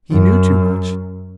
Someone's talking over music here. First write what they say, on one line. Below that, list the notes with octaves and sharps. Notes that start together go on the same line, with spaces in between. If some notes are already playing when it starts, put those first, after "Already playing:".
He knew too much.
F#2